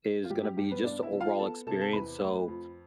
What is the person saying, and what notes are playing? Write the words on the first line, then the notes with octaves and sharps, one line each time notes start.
is gonna be just the overall experience. So
F4
G2 G4
G4
G2 G4
B3 B4
B3 D4 D5
E4 E5
F3
F4 F5
B3 A4 A5
C3 A4 A5
A5
E2 B4 B5
A3
F2